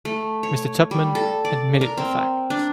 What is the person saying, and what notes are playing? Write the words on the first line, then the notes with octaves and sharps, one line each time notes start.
Mr. Tupman admitted the fact.
A3
C#5
G3
A4
D5
A#4
C4
D4